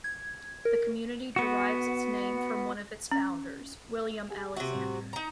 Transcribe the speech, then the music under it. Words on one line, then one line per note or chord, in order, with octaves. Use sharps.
The community derives its name from one of its founders, William Alexander.
G#6
A#4
B3 F#4
C#4
G4 G#4 G#5
C3 F#4 E5
A2 G3 C4
D#4 A#5